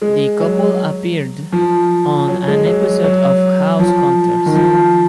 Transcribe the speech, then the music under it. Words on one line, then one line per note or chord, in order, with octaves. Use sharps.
The couple appeared on an episode of "House Hunters".
G#3
F#3
F3
F#3
G#3
F#3
F#3
F3
D#3
F3